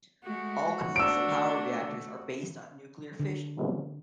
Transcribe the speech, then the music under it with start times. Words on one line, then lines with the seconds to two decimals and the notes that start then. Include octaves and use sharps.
All commercial power reactors are based on nuclear fission.
0.24 G#3 A3 F#4
0.96 A3 D4 E6 D7
3.20 D3